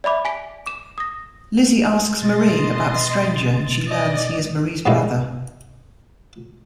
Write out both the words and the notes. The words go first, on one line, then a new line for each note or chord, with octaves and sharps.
Lizzie asks Marie about the stranger and she learns he is Marie's brother.
D5 E5 B5 D6
G#5 B6 D7
D6 E7
D#6 A#6
B2 D#5 C6 A6
D5 D#5
G#2 B2 G3 A#3 D#4 E4